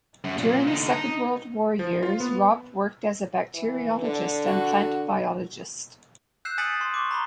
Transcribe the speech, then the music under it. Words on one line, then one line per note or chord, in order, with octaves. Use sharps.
During the Second World War years, Ropp worked as a bacteriologist and plant biologist.
F#2
A#2
D3 D#4
D#4
F3
F4
B3
E3
D3
F#4
E6 F#6 G6 C7 E7
G#5 D#6 A6 B6 C#7 F#7
C6
C#6 D6
A#5 B5 G7